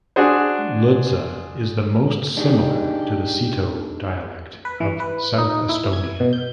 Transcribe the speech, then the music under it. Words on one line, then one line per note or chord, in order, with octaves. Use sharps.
Ludza is the most similar to the Seto dialect of South Estonian.
D4 F#4 G#4 C5
D4 D#4 G4 G#4
B4
E3
B4
D#4
E4
G#6
B2
G6